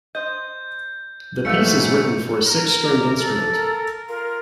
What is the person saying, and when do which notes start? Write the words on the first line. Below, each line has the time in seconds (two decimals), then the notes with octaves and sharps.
The piece is written for a six-stringed instrument.
0.15 C5 D#5 G6
1.45 G#2 B2 E3 A3 C#5 F5 C#7
2.47 A#4
2.85 D6
3.18 A4
3.50 A#4
4.09 F4 A#4